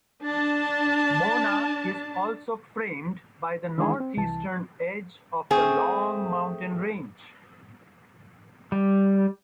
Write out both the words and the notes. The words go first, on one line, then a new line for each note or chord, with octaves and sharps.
Mona is also framed by the north-eastern edge of the Long Mountain range.
D4 A5
D#3 E3 G#3 D4 E4 G#4
C4
C2 E3 A5
A3 C4 G#4
G3